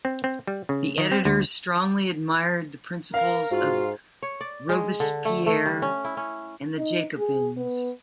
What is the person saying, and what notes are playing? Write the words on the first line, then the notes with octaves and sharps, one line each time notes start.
The editors strongly admired the principles of Robespierre and the Jacobins.
C4
C4
G3
C#3
D#3
C4
D2
A#4 F5
G#2 F4 F#4
C#5
D5
G#3
D3
A3
A3
G3
C#4
E4
C#4
D#4
G#4
B3